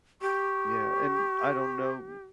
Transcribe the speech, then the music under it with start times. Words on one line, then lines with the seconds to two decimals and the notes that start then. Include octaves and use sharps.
Yeah, and, I don't know
0.21 G4 C#6